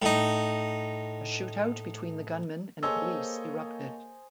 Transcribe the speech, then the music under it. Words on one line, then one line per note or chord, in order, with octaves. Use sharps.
A shootout between the gunmen and police erupted.
A2 D#4
A#3 G#4 A4 C5 C#5 D#5 G#5 E6